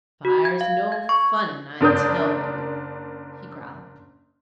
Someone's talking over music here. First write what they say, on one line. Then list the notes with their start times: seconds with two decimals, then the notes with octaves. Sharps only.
"Fire's no funning, I tell you," he growled.
0.25 F#4
0.45 G#6
0.61 F5
0.92 G#6
1.09 C#6
1.81 F#1 D4 A#4 D#6 G6